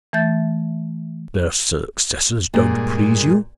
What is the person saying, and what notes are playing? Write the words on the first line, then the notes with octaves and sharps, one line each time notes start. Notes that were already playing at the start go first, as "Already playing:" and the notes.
"Their successors don't please you?"
E3 A3 E5 G6 A6
G2 A#2 G#3